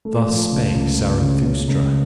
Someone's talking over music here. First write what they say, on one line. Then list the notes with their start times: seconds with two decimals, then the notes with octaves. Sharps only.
Thus spake Zarathustra.
0.05 A3
0.29 F3
0.52 C#2
0.75 C#2
0.98 C#2
1.22 C#3
1.44 C#3
1.68 C#2